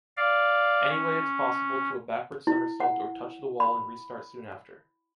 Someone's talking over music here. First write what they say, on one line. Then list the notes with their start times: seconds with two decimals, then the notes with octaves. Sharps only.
Anyway it’s possible to a backward somersault or touch the wall and restart soon after.
0.17 D5 F5
0.89 C#4
2.47 E4
2.80 F#5
3.60 B5